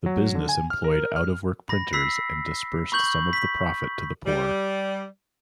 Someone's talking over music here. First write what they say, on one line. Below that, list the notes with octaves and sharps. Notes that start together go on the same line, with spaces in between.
The business employed out-of-work printers and disbursed some of the profit to the poor.
F#3
D3
G#5
F6
A#4
F6
B5 A#6
B5 E6 B6 C7
B5 C#6 G6 F#7
B6
G3